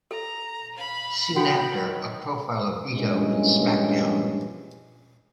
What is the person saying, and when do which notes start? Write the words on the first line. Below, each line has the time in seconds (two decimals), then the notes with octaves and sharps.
Soon after, a profile of Vito in SmackDown!
0.11 A4 A#5
0.77 F5 B5
1.36 B3 F#4 F#5 G5
1.72 D#3 F#3
2.96 A#1 G2 E3 G#3 C#4